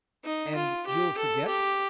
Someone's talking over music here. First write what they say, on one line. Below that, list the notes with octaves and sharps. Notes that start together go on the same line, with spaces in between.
"And you'll forget?"
D#4
F4
G4
A4
G4